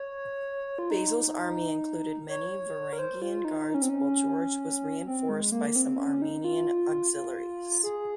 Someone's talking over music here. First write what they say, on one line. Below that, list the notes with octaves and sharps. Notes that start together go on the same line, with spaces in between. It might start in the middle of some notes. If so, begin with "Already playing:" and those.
Basil's army included many Varangian Guards while George was reinforced by some Armenian auxiliaries.
Already playing: C#5
F4
D#4
C#5
A#4
C5
F4
D#4
D#4
C#4
C4
C#4
C4
G#3
A#3
C4
C#4
D#4
F4
F4
G#4